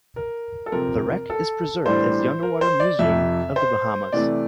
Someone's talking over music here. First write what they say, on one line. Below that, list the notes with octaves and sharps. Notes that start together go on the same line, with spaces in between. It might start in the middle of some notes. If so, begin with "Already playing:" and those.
The wreck is preserved as the Underwater Museum of the Bahamas.
A#4
A4
C3 F3 C4 A#4
A4
A2 E3 G3 D4 C5
A#4
C5
D5
F2 C3 F3 E5
C5
C3 E3 A3 D5